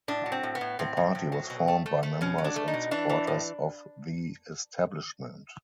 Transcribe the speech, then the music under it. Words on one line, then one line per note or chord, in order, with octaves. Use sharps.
The party was formed by members and supporters of the establishment.
A2 D4
F#3
C4
A2
B3
A2
A2 C4
A2
A2
F#3
B2
A3
A3
A3
B2 C#4
F#3
D4
A3
D#4
B2
E3 D4
E3
A2